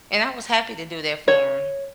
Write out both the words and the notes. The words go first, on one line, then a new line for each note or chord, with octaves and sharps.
And I was happy to do that for him.
C#5